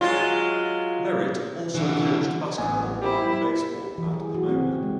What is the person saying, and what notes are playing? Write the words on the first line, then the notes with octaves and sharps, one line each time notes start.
Merritt also coached basketball and baseball at Pomona.
F#3 G#3 F4
D3 E3
A1 B3 G#5
E4 G4 C5
G4
E3
G#4
F#4
C4
C#3
G#3